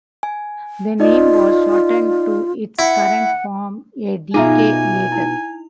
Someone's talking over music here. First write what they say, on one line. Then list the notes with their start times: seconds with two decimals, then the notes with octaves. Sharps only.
The name was shortened to its current form a decade later.
0.23 G#5
1.00 D#4 F4 D5 D#5
2.79 E4 F#5
4.34 B2 D#4 F4 G#4 E5 G#5 A#5 D6
5.12 E4